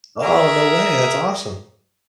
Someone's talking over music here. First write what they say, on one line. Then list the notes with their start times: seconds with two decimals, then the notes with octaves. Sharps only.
Oh, no way. That's awesome.
0.22 G#4 A#4 E5